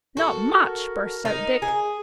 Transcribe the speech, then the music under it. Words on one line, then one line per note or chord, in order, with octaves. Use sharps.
"Not much!" burst out Dick.
F#4 A4 A#4
D#4
G#4